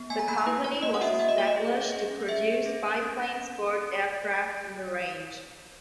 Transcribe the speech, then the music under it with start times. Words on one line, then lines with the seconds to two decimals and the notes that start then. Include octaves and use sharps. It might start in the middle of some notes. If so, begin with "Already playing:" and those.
The company was established to produce biplane sport aircraft in the range.
Already playing: B3
0.10 A#3 G#5
0.19 A#5
0.28 A#3 B5
0.38 A#5
0.47 E4 B4
0.64 A#3 C#5
0.83 A#3 D#5
0.94 F#5
1.01 F#4 E5
1.19 A#3 E5
1.29 D#5
1.38 A#3 C#5
1.47 D#5
1.56 G#4
1.74 C#4
1.92 G#4
2.10 C#4
2.29 G#4 E5
2.47 G#4
2.66 C#4
2.83 C#4
3.02 C#4
3.19 C#4